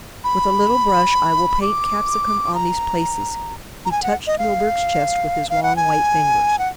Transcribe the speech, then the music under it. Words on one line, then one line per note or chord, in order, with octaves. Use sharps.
"With a little brush I will paint capsicum on these places." He touched Milburgh's chest with his long white ringers.
B5
D6
A#5
A#5
G#5
F#5
D#5
F5
F5
F#5
G#5
F#5